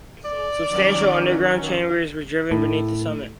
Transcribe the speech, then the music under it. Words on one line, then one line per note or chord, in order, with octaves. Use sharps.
Substantial underground chambers were driven beneath the summit.
D5
D#3 F#3 C#4
A2